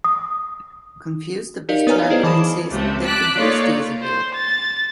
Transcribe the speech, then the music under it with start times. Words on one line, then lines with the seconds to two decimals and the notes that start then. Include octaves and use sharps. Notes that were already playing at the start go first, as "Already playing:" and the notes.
Confused, the bus driver insists that it is Daisy Hill.
0.04 D#6
1.69 D#4 G4 A#4 D5 D#5 F5
1.87 B3 B4 C#5 G#5 A#5 F6
1.98 C#5 D#5 F5
2.10 E4 G#4 C5 D5 D#5
2.23 E3 A5 B5 D#6 E7
2.69 C#2 C3 A3
3.05 A5 D6 F#6 B6
3.37 A#3 D#4 F4 A4 C#5 D5
4.02 C5
4.34 A6